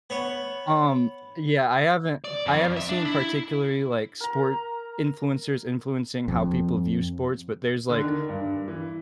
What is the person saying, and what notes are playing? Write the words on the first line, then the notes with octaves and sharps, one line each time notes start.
Um, yeah, I haven't I haven't seen particularly, like, sport influencers influencing how people view sports, but there's, like
B3 C#5
D5
F2
E5
D4
E4
A#4 A#5
F2
D3
D#3
G2
E3